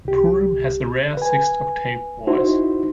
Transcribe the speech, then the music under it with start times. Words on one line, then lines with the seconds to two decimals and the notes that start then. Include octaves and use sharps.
Purim has a rare six-octave voice.
0.05 C2 G4
1.17 B4 G#5
2.27 D#4 E4 F#4 C5